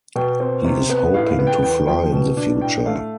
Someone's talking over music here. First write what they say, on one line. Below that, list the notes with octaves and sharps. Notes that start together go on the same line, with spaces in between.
He is hoping to fly in the future.
B2 G5
C4
C3
B3
A2 F5
F5
B3
G5
E2 G5
F3 G5
B2
D4
A2 G5
A3 F5